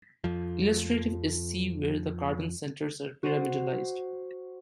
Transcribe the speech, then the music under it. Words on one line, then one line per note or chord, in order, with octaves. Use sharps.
Illustrative is C where the carbon centres are pyramidalized.
F2 F3
F#4 C5